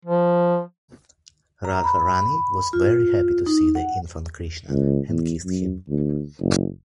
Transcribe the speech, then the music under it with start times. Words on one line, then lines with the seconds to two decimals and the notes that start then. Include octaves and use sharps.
Radha Rani was very happy to see the infant Krishna and kissed him.
0.05 F3
1.65 A#5
1.84 B5
2.73 F4
3.46 D#4
3.75 F#5
4.70 C#2
5.09 E2
5.45 F#2
5.88 D2
6.40 F#1